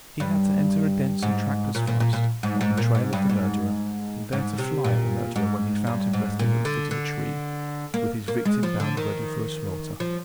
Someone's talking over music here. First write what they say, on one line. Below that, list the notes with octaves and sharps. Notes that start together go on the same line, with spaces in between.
He had to enter a dense and trackless forest, on the trail of the murderer, and there to fly at the murderer when he found him resting at the foot of a tree, with his victim bound ready for slaughter.
G2
G#2
A#2
A#2
A#2
A#2
G#2
G#2
A#2
G#2
G2
G#2
G#2
C3
A#2
G#2
G2
G#2
A#2
D3
D3
A#3
A#3
G#3
F3
D3
D#3
F3